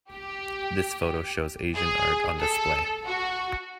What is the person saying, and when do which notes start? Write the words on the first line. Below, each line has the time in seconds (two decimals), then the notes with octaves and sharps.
This photo shows Asian art on display.
0.11 G4
1.74 G#4
2.40 A4
3.06 F#4